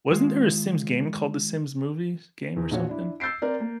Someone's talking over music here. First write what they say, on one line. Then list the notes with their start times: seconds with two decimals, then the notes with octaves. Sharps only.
Wasn't there a Sims game called the Sims movies game or something?
0.10 D#3 G#3 F4
2.56 E2
2.71 A#1 F3 F#4 C#5
2.89 D4 E4
3.20 E6 G6 A6 C7 D7
3.42 C4 A#4 D5
3.60 A#3